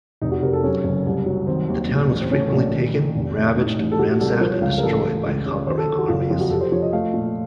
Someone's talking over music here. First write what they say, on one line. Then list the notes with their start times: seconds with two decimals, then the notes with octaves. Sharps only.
The town was frequently taken, ravaged, ransacked and destroyed by conquering armies.
0.22 F1 D#4
0.32 F#4
0.42 C3 A#4
0.53 A4
0.64 F#2 C#4
0.84 F#1
1.06 C2
1.26 F#3
1.47 D#3 C4
1.69 D#2
1.89 A2
2.11 A1
2.21 C4
2.31 A3 C#4
2.52 A#1
2.73 D#3
2.94 D#3
3.16 F1
3.37 A3
3.57 A2 D#4
3.79 A1
3.92 A4
3.99 C3 F#4
4.10 F#4
4.20 C2 A4
4.31 A#4
4.41 F3 C5
4.51 C#5
4.61 C#2 F5
4.73 F5
4.78 A#4
4.83 A1 A4
5.04 A1
5.26 C#2
5.46 C#3
5.67 D#3 C5
5.78 A4
5.88 D#3
5.99 F#4
6.08 F#1 F4
6.30 F2 F4
6.41 F#4
6.50 C3 A4
6.61 C5
6.72 F3 C#5
6.82 D#5
6.93 A3 F5
7.14 A#2